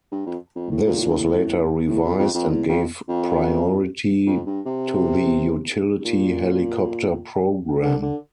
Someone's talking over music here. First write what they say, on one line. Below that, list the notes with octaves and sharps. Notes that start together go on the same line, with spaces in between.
This was later revised and gave priority to the utility helicopter program.
G2
F2
F2
A2
A#2
A2
A#2
G2
A2
A2
F2
F2
F2
E2
F2
F2
F2
G2
C3
A#2
D3
D3